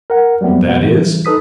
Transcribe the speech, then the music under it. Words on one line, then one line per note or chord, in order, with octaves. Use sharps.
"And that is--?"
A#4 F#5
F#3 G3 A3 B3 C4
G#1 B2 G#3 B3
C#3 E3 G3
D#4 A4 B4 D#6 B6